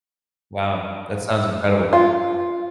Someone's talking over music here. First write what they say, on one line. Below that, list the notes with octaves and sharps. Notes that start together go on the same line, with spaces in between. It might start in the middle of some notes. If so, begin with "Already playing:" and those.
Wow, that sounds incredible.
F4